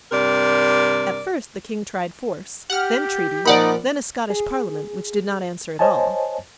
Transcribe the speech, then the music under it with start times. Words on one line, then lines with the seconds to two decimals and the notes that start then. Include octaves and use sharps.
At first the King tried force, then treaty, then a Scottish Parliament which did not answer at all.
0.12 G2 C3 A#4 D5
2.70 G4 F#5 F6
3.46 A#2 F3 D#4 D5 F#5 B5
4.30 G#4
5.79 C5 C#5 D#5 G#5 A5